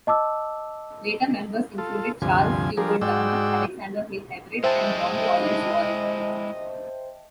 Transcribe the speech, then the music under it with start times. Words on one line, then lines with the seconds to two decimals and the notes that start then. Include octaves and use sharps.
Later members included Charles Stewart Dana, Alexander Hill Everett, and John Collins Warren.
0.07 D#5 A5 D6 E6
1.78 F4 A4
2.22 D2 G2 C3 F3 G#5
2.77 F3 G3 D4 G#4 A#4
3.01 G#2 G#3 F#4 D5 G5 E6
4.64 G#3 E4 C5 D#5 E5 G5 A5